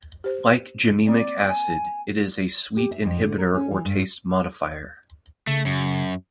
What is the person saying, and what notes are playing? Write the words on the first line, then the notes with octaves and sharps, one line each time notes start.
Like gymnemic acid, it is a sweet inhibitor or taste modifier.
G4 C5
A#3 C4 D5
G#5
G4
E5
F2
D3
A#4
C#4
E3
G2
C#3 A3
F#2